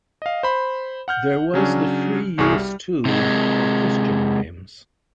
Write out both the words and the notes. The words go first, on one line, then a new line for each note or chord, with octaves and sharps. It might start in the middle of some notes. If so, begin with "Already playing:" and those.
There was the free use, too, of Christian names.
D#5 F5
C5 B5
F#5 F6 G6
C#3 F#3 C#4 D4
G1 C2 F#4 G#4 C#6 F6
G3
C3 G#3